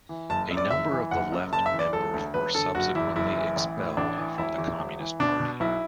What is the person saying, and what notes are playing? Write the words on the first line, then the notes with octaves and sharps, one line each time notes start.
A number of the Left members were subsequently expelled from the Communist Party.
E3
F#1 A5
F#2
D5
F#1 E5
E3
F#1 F#5
F#2
F#1 A5
E5
E3
D5
E1 A4
D2
E1 B4
D3 A4
F#1 F#4
E2 E4
F#1 E4
E3
A1
A2
A1 D4
E3
E1 E4
E2
E1
E3
B2 D4
B2
B1 E4